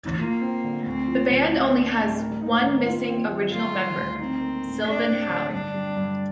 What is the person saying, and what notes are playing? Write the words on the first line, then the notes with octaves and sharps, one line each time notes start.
The band only has one missing original member, Sylvain Houde.
A#3 F4
C4
D3
D2 C4
F3
D2
C4 G4
D4
A2
A#4
D#4
D#3
F4
C4
D#3
G3 F4
D#3
D2
C4 D#4
A#3
A2
D4 G4
C4
D3
G2 D4
G3
G2